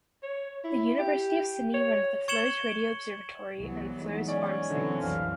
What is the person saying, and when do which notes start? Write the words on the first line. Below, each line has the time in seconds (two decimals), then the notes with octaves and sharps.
The University of Sydney runs the Fleurs Radio Observatory and Fleurs Farm sites.
0.23 C#5
0.64 E4
0.99 G4
1.74 C#5
2.28 C#6 G#6 C#7 E7 F#7 G7
3.57 C2 E3 F#3 B3
3.96 G#3 D#4
4.28 C#4 D5 G#5
4.70 B2 D3 E3 F#3 C4
5.01 C2 F#2 E3 F5